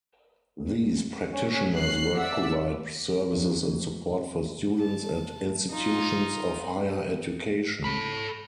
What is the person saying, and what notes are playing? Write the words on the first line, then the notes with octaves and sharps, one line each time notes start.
These practitioners work provide services and support for students at institutions of higher education.
C#4
C#4 F#6 C7
D5 E5 F#5 E6
F2
A5
D#4 F4
A4 B5